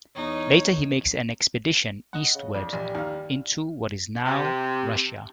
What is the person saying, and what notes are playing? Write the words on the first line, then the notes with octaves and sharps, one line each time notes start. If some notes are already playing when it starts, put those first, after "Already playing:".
Later, he makes an expedition eastward into what is now Russia.
E2 D#4 C#5
D#5 F#5
C#3
F2 D4
A#1 G3
D#2 F5
C3